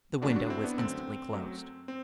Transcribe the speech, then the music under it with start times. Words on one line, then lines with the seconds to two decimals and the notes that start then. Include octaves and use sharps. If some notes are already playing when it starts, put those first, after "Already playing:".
The window was instantly closed.
0.22 F#2 D3 A3 D4 F#4
0.36 D4 F#4
0.50 C4 E4
0.64 B3 D4
0.78 F#2 D3 A3 C4
1.34 F#2 F#3 A3
1.88 C4